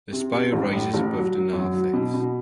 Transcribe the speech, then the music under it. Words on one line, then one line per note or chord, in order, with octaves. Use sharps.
The spire rises above the narthex.
C3
C3
A1
A2
A1
F#3
F#3
F#2
F#3
B2
B2